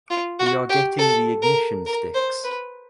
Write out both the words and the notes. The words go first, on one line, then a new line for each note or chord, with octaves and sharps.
We are getting the ignition sticks.
F4
F#4
G4
A4
A#4
A#4
C5
B4